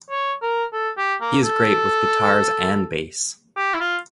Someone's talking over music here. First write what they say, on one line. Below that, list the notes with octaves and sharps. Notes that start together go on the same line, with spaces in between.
He is great with guitars and bass.
C#5
A#4
A4
G4
A#3
A4
G4
E4
F4